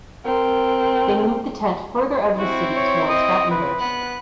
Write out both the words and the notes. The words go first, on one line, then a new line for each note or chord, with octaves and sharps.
They moved the tent further out of the city towards Fountainbridge.
C4 A#4
C4 E4 F#4
C#5
D#5
B4
B3 F#6